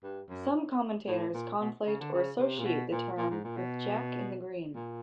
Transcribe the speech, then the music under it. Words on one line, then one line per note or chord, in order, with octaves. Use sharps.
Some commentators conflate or associate the term with "Jack in the Green".
G2
F#2
A2
A#2
B2
C#3
D3
C#3
C3
A#2
B2
A#2
A#2
G#2
A#2
B2
A#2